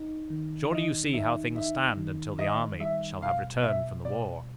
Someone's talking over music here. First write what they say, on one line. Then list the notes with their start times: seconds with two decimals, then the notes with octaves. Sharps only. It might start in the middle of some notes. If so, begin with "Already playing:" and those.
Surely you see how things stand until the army shall have returned from the war?
Already playing: D#4
0.30 D#3
0.72 D#4 D#5
1.13 D#4 E5
1.55 D#4 E5
1.97 D#3
2.39 D#3 D#5
2.80 G3 E5
3.22 B2 F5
3.63 B2 E5
4.05 B2 D5